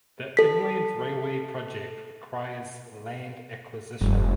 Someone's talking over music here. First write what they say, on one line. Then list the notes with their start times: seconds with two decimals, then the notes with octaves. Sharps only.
The Inland Railway project requires land acquisition.
0.37 A4 B6
4.01 F1 G2